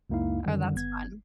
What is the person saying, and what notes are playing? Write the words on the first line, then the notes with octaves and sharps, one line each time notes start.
Oh, that's fun.
C#2 F#2 A#3 D#4 E4 F5
F#2 D3 D#3 G3
G1 B3 G#6